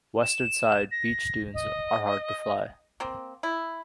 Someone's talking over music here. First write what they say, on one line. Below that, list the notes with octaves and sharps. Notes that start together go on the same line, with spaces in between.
Western side - beach dunes are hard to fly.
E7
A#6
D#5
A#3 C4
E4